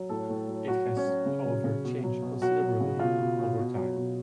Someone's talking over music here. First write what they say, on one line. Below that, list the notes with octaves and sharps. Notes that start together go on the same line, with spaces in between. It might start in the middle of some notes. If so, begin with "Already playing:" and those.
It has however changed considerably over time.
Already playing: F#3
A2 A4
A2
F#3
F#3 F#4
F#3
C#4
F#3
C#3
F#3
C#3
B2
F#3
B2
F#3 F#4
F#3
C#3
B2 F4
B2
B2
B2
F#3
B2